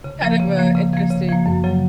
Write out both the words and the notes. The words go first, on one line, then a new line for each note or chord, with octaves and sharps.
kind of a interesting
C#3
F3 A#3
C#3
F3 A#3
C#3
F3 A#3
C#3
F3 A#3
F#2
C#3 F#3 A#3